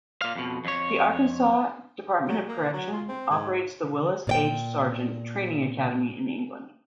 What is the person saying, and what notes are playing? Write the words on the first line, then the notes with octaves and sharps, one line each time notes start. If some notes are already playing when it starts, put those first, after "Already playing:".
The Arkansas Department of Correction operates the Willis H. Sargent Training Academy in England.
A#2 F5
F2 B2
F2 C#5
F#3
A#3
F#3
F4
C4
G#2
A#2 D5 G5